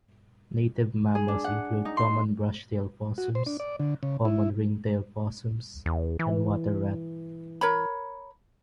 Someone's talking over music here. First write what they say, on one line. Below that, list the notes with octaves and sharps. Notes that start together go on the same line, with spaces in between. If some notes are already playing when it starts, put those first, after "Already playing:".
Native mammals include common brushtail possums, common ringtail possums and water rat.
G#4
D4
F#5
D#4
C6
F#4
C5
D4
D5
D3
C#3
E4
E2
E3
A#4 C#5 B5